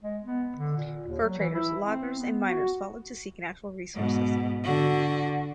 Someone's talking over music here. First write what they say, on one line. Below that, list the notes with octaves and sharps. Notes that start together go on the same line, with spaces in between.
Fur traders, loggers and miners followed to seek natural resources.
G#3
B3
D3
A#2
D#2
F#3
E3
E4
C4
B3
F#4
G#2 B2
D3 F#4